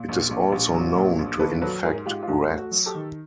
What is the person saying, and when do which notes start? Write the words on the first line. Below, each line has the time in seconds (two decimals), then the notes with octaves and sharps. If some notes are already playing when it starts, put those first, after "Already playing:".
It is also known to infect rats.
Already playing: A#2
0.09 A#1
0.31 A#1
0.52 A#1
0.74 F#3
0.96 A#2
1.19 A#1
1.40 D#3 A4 B4
1.61 F#3 A4 B4
1.84 G#2 G#4 A#4
2.06 G#2 F4 G4
2.23 F4
2.28 G#2 F#4
2.50 A3
2.58 F#4
2.71 F#3
2.86 G4 A4
2.94 D#3